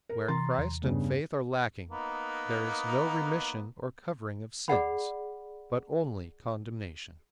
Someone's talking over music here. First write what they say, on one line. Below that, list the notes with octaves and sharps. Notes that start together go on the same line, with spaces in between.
Where Christ and faith are lacking, there is no remission or covering of sins, but only condemnation.
A#4
C3 E3 A#5 C6 A6
E2
G2 C#3 B3
A#3 B3 D#4
G#4 D5 F#5 B5